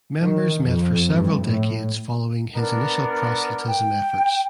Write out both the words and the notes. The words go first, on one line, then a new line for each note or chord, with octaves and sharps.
Members met for several decades following his initial proselytism efforts.
D#3
F2
G2
A2
B3 D4 A#4
G5